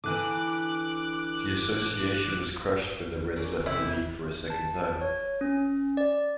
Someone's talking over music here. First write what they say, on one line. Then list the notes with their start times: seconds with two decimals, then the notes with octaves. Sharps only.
The Association was crushed when the Reds left the league for a second time.
0.04 D3 E3 D6 F#6
3.36 A#3 C#4 D5
3.66 F2 C3 E4 G4
4.50 A5
5.01 C#5
5.41 C#4
5.97 D5